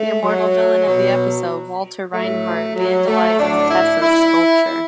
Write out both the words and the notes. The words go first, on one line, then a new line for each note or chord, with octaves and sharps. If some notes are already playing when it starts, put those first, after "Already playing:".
The Immortal villain of the episode, Walter Reinhardt, vandalized Tessa's sculpture.
Already playing: A3
F#3
B2 F#3
A2 F#3 A3
F#3
A3
A2 F#3 D4
E4
E4